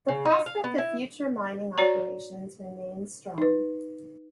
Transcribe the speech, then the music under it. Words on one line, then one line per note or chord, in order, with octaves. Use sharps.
The prospect of future mining operations remains strong.
C#3
D#4
F5
B3
E4
F#4 C#5 D5 A#5
D#4 B4